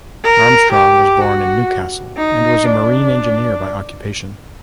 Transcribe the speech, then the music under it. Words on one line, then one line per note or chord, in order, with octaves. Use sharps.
Armstrong was born in Newcastle and was a marine engineer by occupation.
A#4
G4
F#4
D#4
D4